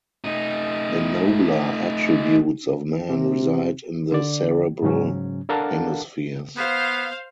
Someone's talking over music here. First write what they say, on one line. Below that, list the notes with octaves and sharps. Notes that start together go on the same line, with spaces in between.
The nobler attributes of man reside in the cerebral hemispheres.
A3 D#4
C3
D3 D5
G#2 C#3 F#3 C#4
D4 A4 A#4 F5 F#5 A5
B3 C5 F5